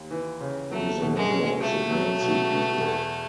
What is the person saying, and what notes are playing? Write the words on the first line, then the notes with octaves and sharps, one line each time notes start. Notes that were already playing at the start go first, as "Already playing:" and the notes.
He is a member of the Mansi people.
Already playing: D#2
E3
C#3
F#3 A3
B2
G#3
C#4
C#2 A3
F#3
B2
B2
E2